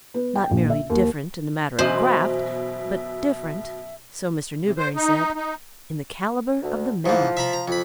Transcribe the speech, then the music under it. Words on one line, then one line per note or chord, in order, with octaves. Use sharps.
Not merely different in the matter of graft, but different, so Mr. Newberry said, in the calibre of the men.
B3
G5
A#1
E5
D#2
F#2 B2 E3 C5 D#5 E5 F#7
C3
C5
D#4
D#4
D2
G#2 E3 F3
E5 A#5 B5
A#5
F2 B5